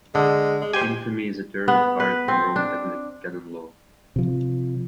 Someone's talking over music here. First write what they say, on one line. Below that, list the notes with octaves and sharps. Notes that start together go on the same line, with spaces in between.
Infamy is a term of art in Roman Catholic Canon Law.
D3 G#3
G#3
G4 C5 G5 G#5
B3
B4
C4
D4
C3 F3